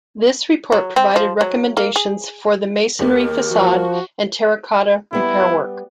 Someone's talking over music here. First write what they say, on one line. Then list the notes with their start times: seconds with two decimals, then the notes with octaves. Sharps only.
This report provided recommendations for the masonry facade and terra cotta repair work.
0.72 F#3
0.96 C4
1.16 F3
1.41 F#3
1.77 A#3
1.96 G#4
2.99 D#2 G#3 G4 A#4
3.50 F3 F#4
5.13 G3 B3 E4